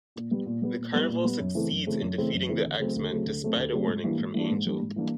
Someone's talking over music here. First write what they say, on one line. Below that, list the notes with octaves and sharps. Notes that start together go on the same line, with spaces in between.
The carnival succeeds in defeating the X-Men despite a warning from Angel.
A#2
G3 B3
A#2
G3 B3
A#2
G3 B3
A#2
G3 B3
F#2
C#3 E3 A3 C4
F#2
C#3 E3 A3 C4
F#2
C#3 E3 A3 C4
F#2
C#3 E3 A3 C4
D2
C#3 F#3 A3 C4
D2
C#3 F#3 A3 C4
D2
C#3 F#3 A3 C4
D2
C#3 F#3 A3 C4
G#2
E3 G3 A#3 D4
G#2
E3 G3 A#3 D4
G#2
E3 G3 A#3 D4
G#2
E3 G3 A#3 D4